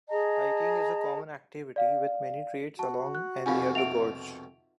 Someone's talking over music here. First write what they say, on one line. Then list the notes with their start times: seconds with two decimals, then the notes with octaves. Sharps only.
Hiking is a common activity with many trails along and near the gorge.
0.09 G#4 D#5 A5 A#5
1.76 D5 F5
2.79 F#4 A5
3.15 F#6
3.46 C2 F2 B2 D#4 F4 F5 G#5
3.75 D#5 E5 F#5 D7 F7